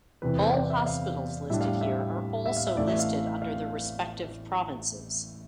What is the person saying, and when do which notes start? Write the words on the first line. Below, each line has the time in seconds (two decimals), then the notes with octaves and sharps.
All hospitals listed here are also listed under their respective provinces.
0.22 E2 C3 E3 B4
0.38 C5
0.53 D5
0.70 E5
0.86 F5
1.50 A2 G3 D4 E5
1.61 F5
1.81 E5
2.46 E5
2.57 F5
2.67 E5
2.77 A1 A2 E3 A3 E4 D5
2.88 E5
2.99 F5
3.42 F5